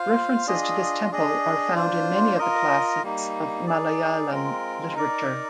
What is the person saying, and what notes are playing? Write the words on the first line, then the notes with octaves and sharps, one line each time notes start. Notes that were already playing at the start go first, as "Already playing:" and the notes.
References to this temple are found in many of the classics of Malayalam Literature.
Already playing: F4 C5 F5
D4 F4 G#4 D#5
D4 G#4 D#5
D4 F4 C5
F4 A#4 D#5
G3 A#3 D#4
D#4 G#4 D5
G#3 C4 F4 A#4
D#4 A#4 D5